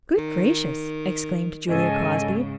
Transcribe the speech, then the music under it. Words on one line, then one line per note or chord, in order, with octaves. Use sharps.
"Good gracious," exclaimed Julia Crosby.
D#3
G#2 C#3 A4 D#5 G#5